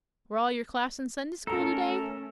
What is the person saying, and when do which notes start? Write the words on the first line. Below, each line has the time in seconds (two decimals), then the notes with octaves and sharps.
"Were all your class in Sunday School today?"
1.47 A3 C#4 A4 A#4 A#5